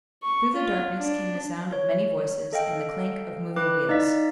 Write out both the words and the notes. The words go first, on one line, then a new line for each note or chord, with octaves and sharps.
Through the darkness came the sound of many voices and the clank of moving wheels.
C#6
F4
D4
C#5
A4 D#5 F5 G5
E4 B4 D6 F#6
D#4 D5 D#5 F5 B6